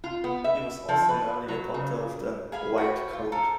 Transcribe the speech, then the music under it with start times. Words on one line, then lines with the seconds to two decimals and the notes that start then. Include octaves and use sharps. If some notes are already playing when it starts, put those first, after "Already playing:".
He was also an early adopter of the "white coat".
0.04 F4
0.24 B3
0.44 E5
0.89 F3
1.09 B4
1.48 F#3
1.74 C#3
2.52 G#4 F5 G#5 B5
2.78 F#4 B4 G5
3.13 F4
3.32 A4 A#4